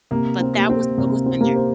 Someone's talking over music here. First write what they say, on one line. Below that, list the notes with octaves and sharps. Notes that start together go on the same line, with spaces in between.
B ut that was what was in there.
C3 A#3
C4
A#3 G4
C4
C3 A#3
C4
A#3 G4
C5